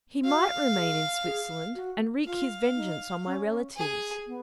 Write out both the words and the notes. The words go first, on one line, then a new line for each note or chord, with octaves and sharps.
He might remain in Switzerland and wreak his vengeance on my relatives.
F#4 F5
G#4
G#4
F#4
F4 F5
D#4
C#4
G#4
B3